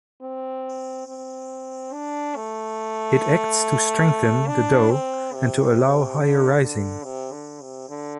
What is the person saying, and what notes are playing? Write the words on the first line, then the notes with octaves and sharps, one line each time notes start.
It acts to strengthen the dough and to allow higher rising.
C4
C4
D4
A3
D4
C4
C3
D3
D3
C3
D3
C3
D3